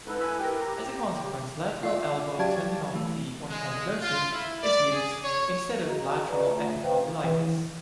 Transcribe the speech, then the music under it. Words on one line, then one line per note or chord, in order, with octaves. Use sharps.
As a consequence, "lateral elbow tendinopathy or tendinosis" is used instead of "lateral epicondylitis".
G#2 E4 A4 B4
G#5 B5 E6
G4 A#4
G4 A#5
F4 D5 E5
F#3 G4 D5 F5 A5 G#6
E3 A3
G#3
F4
E4
D5
G#4
C#5
F#4 G#4 D#5 A#5
B4 D5 D#5 A#5
A3 F4 E5
B4 C5 D#5 F5 G5
E3